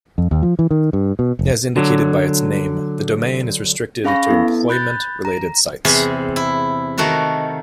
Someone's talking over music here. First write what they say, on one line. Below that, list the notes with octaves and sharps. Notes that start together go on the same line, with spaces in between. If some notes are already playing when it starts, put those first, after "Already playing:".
As indicated by its name, the domain is restricted to employment-related sites.
F2
D#2
F3
E3
D#3
G2
B2
F1
D3 F#3
C#4 G#4 F5 B5 C#6 A#6
B3 E4 A4
B5 F#6 G6 A6
A#5
E2 C3 G#4 G#5
E4
D#3 A3 F#4 A#4